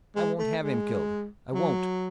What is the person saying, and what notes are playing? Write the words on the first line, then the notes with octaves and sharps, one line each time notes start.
I won't have him killed--I won't!
G#3
A3
G#3
F#3